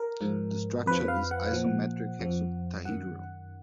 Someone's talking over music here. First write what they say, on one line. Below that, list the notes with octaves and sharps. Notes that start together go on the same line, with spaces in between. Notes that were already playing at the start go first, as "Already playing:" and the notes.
The structure is isometric-hexoctahedral.
Already playing: A#4
G#2 F3
F2 F3 B4
F5
F#5
A#2 F3
F2 F3
F#2 D#3 F#5